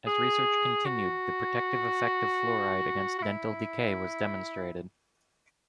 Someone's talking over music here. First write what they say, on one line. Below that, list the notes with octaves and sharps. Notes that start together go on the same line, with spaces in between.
As research continued, the protective effect of fluoride against dental decay was demonstrated.
G#4
F#4
F#4
E4